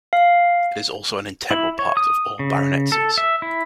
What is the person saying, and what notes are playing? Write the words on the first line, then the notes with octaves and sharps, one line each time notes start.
It is also an integral part of all baronetcies.
F5
E4
C#5
D#6
C#3
A4
E5
E4